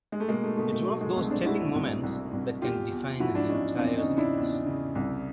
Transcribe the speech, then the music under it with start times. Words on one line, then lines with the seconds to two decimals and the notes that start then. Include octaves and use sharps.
It's one of those telling moments that can define an entire series.
0.12 G#3
0.20 A3
0.28 B2 G#3 A#3
0.43 A3
0.57 B2 A3
0.72 A3
0.87 F#3 A3
1.01 G#3
1.16 C2 A3
1.31 C4 D4
1.45 F#3 E4 F#4
1.75 C2
2.03 C2
2.33 C2
2.62 E2 F4 G4
2.91 E2
3.20 F3 E4 F#4
3.35 D4 E4
3.49 E2 C#4 D#4
3.79 E2 C4 D4
3.98 C#4 D#4
4.08 C#3
4.18 D4 E4
4.37 E2
4.66 C#3
4.95 C2